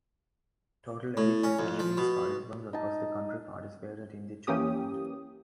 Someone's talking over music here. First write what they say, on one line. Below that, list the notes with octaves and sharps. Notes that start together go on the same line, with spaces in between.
Total eighth academics participants across the country participated in the tournament.
A2
C#4
F2
F3
B2
D#4 A5
E3 A#3 C#4 G4 D#6